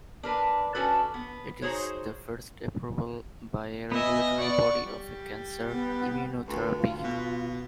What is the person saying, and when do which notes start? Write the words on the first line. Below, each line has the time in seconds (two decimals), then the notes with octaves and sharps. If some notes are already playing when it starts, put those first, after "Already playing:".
It is the first approval by a regulatory body of a cancer immunotherapy.
0.23 D4 A#4 B4
0.75 C#4 D4 F#4 A4 B4
1.14 B3
1.62 D#4 F#4 G#4 C5 C#5
3.92 B3 D#5 E5 G#5
4.38 D5 F#5 C#6
4.85 G3
5.69 B3
6.48 D2 B4
6.79 F4
7.03 B2